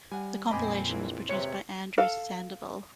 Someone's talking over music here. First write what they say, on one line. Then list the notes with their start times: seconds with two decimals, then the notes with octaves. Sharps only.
The compilation was produced by Andrew Sandoval.
0.11 G3 F#5 G#5
0.51 F2 A#2 C4 D#5 G5 G#5 B5 D6
0.89 A#1 E3
1.29 G#1 C3 B4 C#5 C6 C#7
1.98 A4 F5